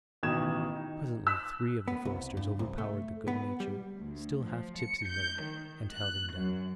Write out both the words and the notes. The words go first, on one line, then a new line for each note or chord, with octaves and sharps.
Presently three of the foresters overpowered the good-natured, still half-tipsy miller, and held him down.
A1 B2 D#3 D#6 G#6 E7
D#4
E6 F#6 B6
B3
C2
G2
C2
A3
B3
G3
D2
F3
C#7
G6
D#3
F#6
F#2